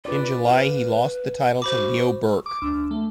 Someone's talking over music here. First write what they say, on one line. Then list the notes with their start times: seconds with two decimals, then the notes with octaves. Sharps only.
In July, he lost the title to Leo Burke.
0.05 F4 B4 D5
0.45 B4 F5
1.62 F#4 C5 B5 D6
2.46 D6
2.62 D2
2.91 A3